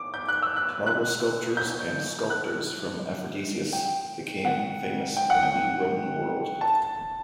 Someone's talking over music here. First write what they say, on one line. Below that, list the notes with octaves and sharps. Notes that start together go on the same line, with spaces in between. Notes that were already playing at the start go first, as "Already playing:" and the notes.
Marble sculptures and sculptors from Aphrodisias became famous in the Roman world.
Already playing: D6
G6
F#6
E6
F#6
F#6
G6
F#6
G5
F#5
G5
F#5
G5
A5